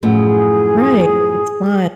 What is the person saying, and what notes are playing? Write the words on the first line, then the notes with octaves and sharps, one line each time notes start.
Right. It's fun.
F#2 A2 F3 G#4